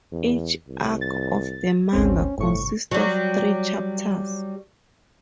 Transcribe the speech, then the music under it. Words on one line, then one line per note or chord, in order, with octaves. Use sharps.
Each arc of the manga consists of three chapters.
E2
C2
A6
G#1 D2 C4 C#4
G1 A2 C3 C#6
F#3 G3